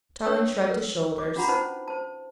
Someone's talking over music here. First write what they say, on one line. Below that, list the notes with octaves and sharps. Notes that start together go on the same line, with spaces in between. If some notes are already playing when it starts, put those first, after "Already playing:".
Tarling shrugged his shoulders.
D4 B4 C#5 G5 D#6 E6
A#4 B4
D6
D4 F4 F#4 F#5 A#5 B5
C#4 D#4 B4 C5 F#5 A5
C5 A5